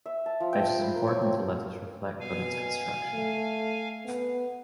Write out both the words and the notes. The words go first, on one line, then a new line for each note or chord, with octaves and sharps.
It was important to let us reflect on its construction.
E5
A5
F3
G5
F5
B4
A#4
C#5
C4
B2 F5 G#5
A3
B3